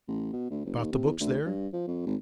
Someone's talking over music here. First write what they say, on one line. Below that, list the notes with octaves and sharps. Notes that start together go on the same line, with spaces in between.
Got the books there?'
A1
B2
D2
F#1
D#2
C3
E2
D2
G2
F3
F2
G#1